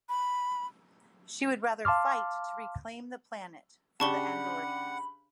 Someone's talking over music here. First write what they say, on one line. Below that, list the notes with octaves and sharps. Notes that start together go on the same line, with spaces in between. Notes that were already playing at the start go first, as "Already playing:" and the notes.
She would rather fight to reclaim the planet for the Andorians.
B5
F5 A5 C6 D6 F6
C#3 D4 G4 F#5 A5 B5 C#6 G7